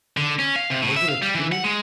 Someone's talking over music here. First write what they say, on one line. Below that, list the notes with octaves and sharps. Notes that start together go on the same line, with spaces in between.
was it a shooter?
D3
C#4
F5
C3
A2
E5
F5
G3
E3
F#5
G#3